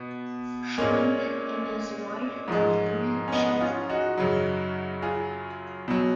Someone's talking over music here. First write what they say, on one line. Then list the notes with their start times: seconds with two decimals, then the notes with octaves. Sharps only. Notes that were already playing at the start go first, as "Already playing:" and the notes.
Schwinden and his wife have three children.
Already playing: B2 B3
0.78 A#2 G#3 A#3 C#4
2.48 G#2 F3 G#3
3.28 C#4
3.32 B3 D#4
3.61 C#4 F4
3.89 D#4 F#4
4.18 F#2 C#3 F#3
5.02 F4 G#4
5.88 B2 F#3